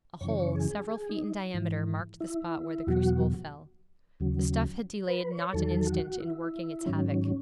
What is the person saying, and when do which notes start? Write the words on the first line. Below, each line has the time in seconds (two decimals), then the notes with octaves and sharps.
A hole several feet in diameter marked the spot where the crucible fell. The stuff had delayed not an instant in working its havoc.
0.21 F#2 C#3 E3 C#5
0.55 G#4
0.88 G#4
1.09 D#4
1.54 G#2 E3
2.20 E4
2.87 E2 B2 F#3 F#4
4.20 D#2 C#3 F#3
5.09 B4
5.31 C#5
5.53 E2 D#3 F#3 A4
5.87 F#4
6.20 E4
6.86 G#2 D#3 F#3 C#4